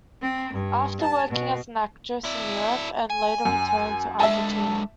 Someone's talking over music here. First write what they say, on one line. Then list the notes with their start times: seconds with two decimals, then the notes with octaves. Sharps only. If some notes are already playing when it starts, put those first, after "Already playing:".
After working as actress in Europe, and later returned to Argentina.
0.21 C4
0.53 G2
1.01 A5
1.30 B2
2.25 D4 E4
3.10 G#5
3.45 F#2
4.20 D3 G#3 E5 A5